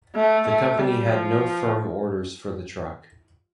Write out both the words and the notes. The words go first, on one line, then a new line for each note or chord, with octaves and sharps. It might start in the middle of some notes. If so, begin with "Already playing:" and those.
The company had no firm orders for the truck.
A3
A3
G3
F3